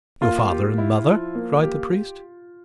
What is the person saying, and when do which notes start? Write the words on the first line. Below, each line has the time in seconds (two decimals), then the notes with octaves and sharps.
"Your father and mother?" cried the priest.
0.21 A#3 F4
0.49 G4
0.78 E4
1.06 F3
1.35 A#3
1.63 G4